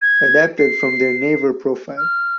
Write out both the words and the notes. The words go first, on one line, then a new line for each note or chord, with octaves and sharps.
Adapted from their Naver Profile.
G#6
C7
F6